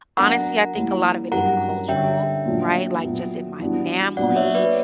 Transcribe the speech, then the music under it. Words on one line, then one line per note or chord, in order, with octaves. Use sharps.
honestly, I think a lot of it is cultural, right? Like, just in my family,
F#3 B3 D4 A#4 F#5 A#5
E3 G3 A#3 C#4 E4
G2 F#3 C#4 G4 A#4 F#5 A#5
D3 G3 C#4 G4 E5 G5
A#2 F#3 A#3 D4
A#2 F#3 B3
E3 G3 B3 D4 F#4
A#2 F#3 B3 D4 D5 F#5
C#5 E5
B4 D5